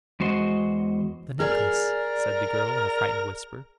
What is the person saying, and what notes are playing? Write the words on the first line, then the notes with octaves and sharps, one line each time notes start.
"The necklace," said the girl, in a frightened whisper.
E2 G#3 F#4 C5 D#5
G#4 A#4 D5